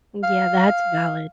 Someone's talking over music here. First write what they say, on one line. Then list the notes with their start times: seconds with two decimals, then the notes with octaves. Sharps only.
yeah, that's valid,
0.24 F5